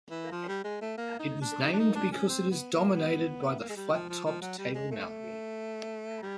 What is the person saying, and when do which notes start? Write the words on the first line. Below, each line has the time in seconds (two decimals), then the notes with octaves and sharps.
It was named because it is dominated by the flat-topped Table Mountain.
0.10 E3
0.32 F3
0.48 G3
0.64 G#3
0.81 A3
0.98 A#3
1.19 D#4
1.41 D4
1.63 D#4
1.73 D4
1.79 D#4
1.95 D4
2.12 C#4
2.29 C4
2.51 B3
2.72 A#3
2.94 B3
3.60 A#3
3.69 G#3
3.76 G3
3.92 F3
4.09 F3
4.25 F3
4.41 F#3
4.58 G3
4.75 G#3
4.91 A3
6.23 G3